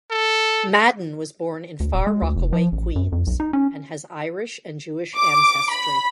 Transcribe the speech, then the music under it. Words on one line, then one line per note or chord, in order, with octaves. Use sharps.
Madden was born in Far Rockaway, Queens, and has Irish and Jewish ancestry.
A4
D2
D#1
G#3
D2
F1
F3
A1
F#2
F2
B1
D#4
C#4
D6
B5